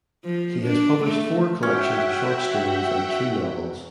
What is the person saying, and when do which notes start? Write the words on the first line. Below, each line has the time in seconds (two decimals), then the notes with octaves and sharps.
He has published four collections of short stories and two novels.
0.25 F3
0.62 D4
1.04 A3
1.63 C#4 F#4 E5 F#5 G5